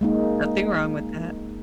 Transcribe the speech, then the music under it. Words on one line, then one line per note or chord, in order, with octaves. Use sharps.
Nothing wrong with that.
G#3 A#3 D#4